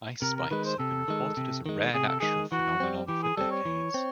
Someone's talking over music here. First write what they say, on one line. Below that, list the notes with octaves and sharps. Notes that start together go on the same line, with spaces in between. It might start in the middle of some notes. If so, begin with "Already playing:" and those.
Ice spikes have been reported as a rare natural phenomenon for decades.
C3 A#4
A#4
D#3 G#3 B4
C5
C3 A4
D#3 G#3
C3
D#3 G#3
C3 G#4
A4
D#3 G#3 G#4
E3 F#4
G3 C4
E3 G4
G#4
G3 C4 A4
C#5
E3
C4